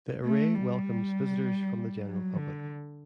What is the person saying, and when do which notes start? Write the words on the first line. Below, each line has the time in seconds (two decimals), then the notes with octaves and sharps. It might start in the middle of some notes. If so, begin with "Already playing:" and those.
The Array welcomes visitors from the general public.
0.25 A3
0.55 G3
2.07 F#3
2.37 D3